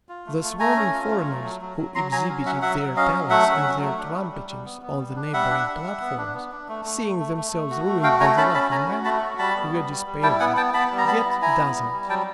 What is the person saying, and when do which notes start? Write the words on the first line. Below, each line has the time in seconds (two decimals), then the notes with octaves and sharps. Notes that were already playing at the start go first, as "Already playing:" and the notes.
The swarming foreigners who exhibited their talents and their trumpetings on the neighbouring platforms, seeing themselves ruined by the Laughing Man, were despairing, yet dazzled.
0.09 F4
0.26 A3
0.43 A3
0.59 A3 G#5 A#5
0.76 C#4
0.93 F4
1.10 A3
1.28 F#3
1.44 F#3
1.61 F#3
1.78 F#3
1.95 F#3 A#5 C6
2.12 F#3 G#5 A#5
2.29 C#4
2.45 F#3 E5 F#5
2.62 F#3 E5 F#5
2.80 F#3
2.96 C#4 D#5 F5
3.13 F#3
3.30 A3 E5 F#5
3.47 C#4
3.64 F#3
3.81 A3
3.98 D4
4.15 G3
4.32 G3
4.49 G3
4.65 B3
4.82 B3
4.99 G3
5.16 D4
5.33 G3 E5 F#5
5.50 D4
5.67 G3
5.84 G3
6.01 B3
6.18 D4
6.34 B3
6.51 D4
6.69 A3
6.85 A3
7.02 A3
7.19 A3
7.36 A3
7.52 A3
7.70 F#4
7.87 A3
8.03 F#4 F5 G5
8.20 A3 G#5 A#5
8.37 C#4 A5 B5
8.54 C#4 A5 B5
8.71 C#4 G#5 A#5
8.89 F#4
9.05 A3 A5 B5
9.22 F#4
9.39 G3 A5 B5
9.56 B3
9.73 G3
9.89 G3
10.06 G3
10.23 E4 G5 A5
10.40 B3 F#5 G#5
10.57 B3 G5 A5
10.74 B3 A5 B5
10.91 G3
10.98 A#5
11.07 B3 A5 B5
11.25 E4
11.41 E4 G#5 A#5
11.59 B3
11.75 G3
11.92 G3
12.09 F#3 G5 A5